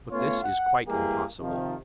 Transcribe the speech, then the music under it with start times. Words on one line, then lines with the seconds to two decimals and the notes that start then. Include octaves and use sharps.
But this is quite impossible.
0.11 A3 B3 C#4 F4 C#5
0.43 F#5
0.87 E3 G3 G#3 A#3 G4 G#4
1.40 C3 D#3 F3